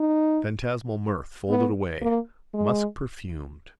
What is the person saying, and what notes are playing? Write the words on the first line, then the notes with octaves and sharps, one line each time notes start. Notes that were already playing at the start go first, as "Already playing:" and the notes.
Phantasmal mirth, folded away: muskperfumed.
Already playing: D#4
B3
A#3
G#3